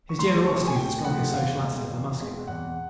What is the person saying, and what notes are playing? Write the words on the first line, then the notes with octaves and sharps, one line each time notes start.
His generosity is the strongest social asset of the Muscular.
C#6
D2 C6
C3 F3 A3 C4 C#6
G#5
D2 G5
C3 F3 A3 C4 F#5
E2 F5
B2 G#3 C4
E2
B2 G#3 C4
E2 F#5